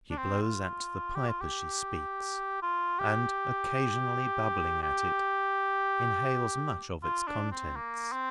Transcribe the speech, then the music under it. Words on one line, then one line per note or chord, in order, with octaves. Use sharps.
She blows at the pipe as she speaks, and, occasionally bubbling at it, inhales much of its contents.
D4
C4
F4
G4
F4
G4
F4
G4
G4
F4
D4
C4
A#3
C4